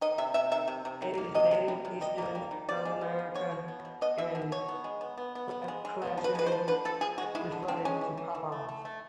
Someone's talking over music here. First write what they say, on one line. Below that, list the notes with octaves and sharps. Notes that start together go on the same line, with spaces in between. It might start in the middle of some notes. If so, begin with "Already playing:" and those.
It is native to eastern North America and collectively referred to as pawpaw.
D#3 D#5
C3 E5
C3 E5
D#3 E5
C3
C3
D#3
A#3
C3 D#5
C3
G3
C3
G3 D#5
A#3
G3
D#3
B2 D5
G#3
B3
G#3
B3 C#5
B2
B3
B2
B3 D#5
B2 E5
B2
B2 C#5
B3
G#3
B3
B3
B3
B3
G#3
G#3
B3
F3
B4
G#3 B4
C5
F3
D3 B4
F3 A4
F3 G#4
G#3 F#4
G#3 E4
D3
D3 C4
G#3 C#4
E3
E3
E3
A3
A3
A3